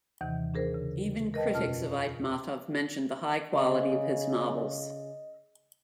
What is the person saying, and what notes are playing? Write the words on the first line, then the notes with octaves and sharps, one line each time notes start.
Even critics of Aitmatov mentioned the high quality of his novels.
D#2 C3 D#3 E3 G6
D4 G#4 A#4 C5
C#3
A#4 B4 D#5 G5 A5
F2 B2 C#4 F4 A5 F6
C#3 D#5